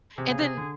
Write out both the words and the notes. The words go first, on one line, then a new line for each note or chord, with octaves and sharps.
and then,
C3 G#4
C#3
C3
D3